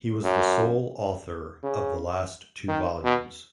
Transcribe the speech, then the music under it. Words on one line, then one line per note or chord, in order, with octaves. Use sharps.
He was the sole author of the last two volumes.
F#2
C#3
D#3
B2